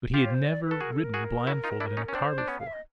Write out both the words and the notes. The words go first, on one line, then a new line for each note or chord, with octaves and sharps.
But he had never ridden blindfolded in a car before!
F4 G4
C#5
C5
D5
B4
A4
F#4 G#4 A#4
A4
A#4
F#4 G#4
E4 F#4
D#4 F4
D4 E4
C#4 D#4
C#4
C4 D4 C5
D4
B3 C#4 C#5
F5
E5
D#5